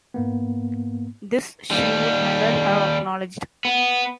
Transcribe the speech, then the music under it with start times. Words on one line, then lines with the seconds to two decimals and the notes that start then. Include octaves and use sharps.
This she would never have acknowledged.
0.14 G#2 A#3 B3
1.71 D#2 G3
3.65 B3